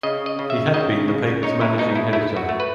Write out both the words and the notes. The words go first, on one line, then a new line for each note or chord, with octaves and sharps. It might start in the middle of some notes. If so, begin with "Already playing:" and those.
He had been the paper's managing editor.
C#3 D#5
D#5
C#3
E5
C#3 D#5
C#3
D#4 C#5
E4
B2 D#4
E4
A3 E4
F#4
A3
B4